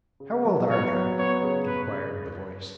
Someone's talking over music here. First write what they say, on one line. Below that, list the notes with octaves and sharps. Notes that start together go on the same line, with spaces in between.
'How old are yer?' inquired the voice.
C#3
F#3
B3 C#5
F#3
B3 C#5
C#3
C#3 B4